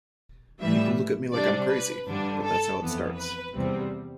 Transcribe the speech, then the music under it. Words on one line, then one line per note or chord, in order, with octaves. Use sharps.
People look at me like I'm crazy, but that's how it starts.
A2 E3 G3 E5
C3 G3 D4 D5
B4
G2 D3 G3 D4
A4
F2 E3 B3
B4
E2 C3 G3 C4